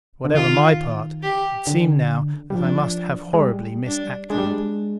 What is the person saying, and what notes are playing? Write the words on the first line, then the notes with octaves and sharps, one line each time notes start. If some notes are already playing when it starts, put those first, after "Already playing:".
Whatever my part, it seemed now that I must have horribly misacted it.
D3
D#3 F4
G4
D3
D#3
D3
G3
F3 D4
G#3
G3
D4
G#3 D4
G3
G#3